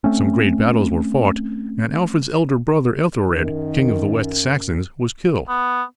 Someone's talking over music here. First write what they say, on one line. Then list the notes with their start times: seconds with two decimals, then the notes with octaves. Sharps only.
Some great battles were fought, and Alfred's elder brother Ethelred, king of the West Saxons, was killed.
0.04 A3 C4 C#4
3.29 F#2 D#3
5.48 B3